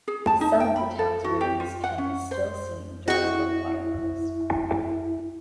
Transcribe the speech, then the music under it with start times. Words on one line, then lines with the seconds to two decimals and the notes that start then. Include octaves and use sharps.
Some of the towns ruins can be still seen during low water levels.
0.08 G#4
0.27 A5
0.41 D#4
0.60 G5
0.76 B5
0.99 A4
1.24 F#4
1.41 G4
1.60 F4
1.84 F#5
1.98 C#4
2.31 C5
3.08 F#4 G#4 D#5 G5 C#6
3.25 E4